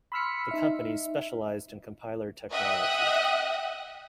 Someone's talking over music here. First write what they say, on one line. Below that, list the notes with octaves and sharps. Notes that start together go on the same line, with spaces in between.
The company specialized in compiler technology.
B5 C6 E6 F6 B6 C#7
D#4 E5
D#5 E5 F#5 G5 D#6 F#6